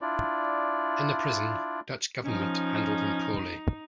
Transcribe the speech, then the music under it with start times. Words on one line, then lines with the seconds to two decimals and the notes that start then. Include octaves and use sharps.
In the prison, Dutch government handled him poorly.
0.01 D4 E4 F4 D5
2.25 F3 C#4 D#4